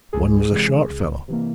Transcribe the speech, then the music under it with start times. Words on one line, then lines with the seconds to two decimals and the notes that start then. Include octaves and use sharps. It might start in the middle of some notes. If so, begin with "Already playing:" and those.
One was a short fellow.
0.13 C#2 G#4
0.52 C3 E3 G#3
0.89 C#2
1.28 C3 E3 A#3